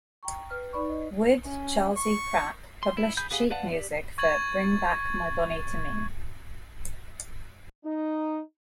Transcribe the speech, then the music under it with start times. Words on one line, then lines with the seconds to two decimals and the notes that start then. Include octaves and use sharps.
Wood, Charles E. Pratt published sheet music for "Bring Back My Bonnie to Me".
0.23 G5 A#5 C#6
0.50 B4 F6
0.73 D#4 B4 D5 B5 C#6
0.90 D#5
1.44 C#4
1.96 C#6
2.83 C6
2.97 E4
3.17 G#4 B5 G6
3.31 B3 G4 G#4 F5 G#5
3.51 B4 D5 F5 F#5 A5
3.73 G4 D5
4.18 C#6 G#6 A6 F#7
7.85 D#4